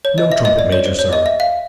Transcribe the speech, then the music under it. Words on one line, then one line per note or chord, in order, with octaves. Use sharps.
'No, trumpet-major, sir.
C#5
D#5
E5
D#5
D5
C#5
C5
C#5
D#5
E5
F5